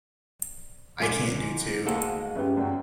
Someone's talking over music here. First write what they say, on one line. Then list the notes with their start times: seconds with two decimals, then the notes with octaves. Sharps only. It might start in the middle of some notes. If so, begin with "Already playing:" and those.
I can't do two.
1.00 G#2 F3 G#5 D6
1.87 D2 G#3 A#3 D#4 A4 F5 F#5
2.36 G1 C#4 G4 B4 E5
2.57 F#2 F#3 D5 G5